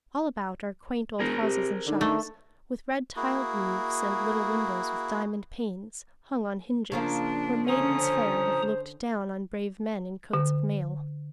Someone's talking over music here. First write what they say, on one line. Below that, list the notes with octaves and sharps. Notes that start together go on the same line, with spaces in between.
All about are quaint old houses and shops, with red-tiled roofs, and little windows, with diamond panes, hung on hinges, where maidens fair have looked down on brave men in coats of mail.
E1 G#4 A#4 C5
C3
D3 D#4
A3
A#3 E4 F#4 G#4
C#3 F3 A#3 D4
D3 C#4 C5 A#5 D#6
D3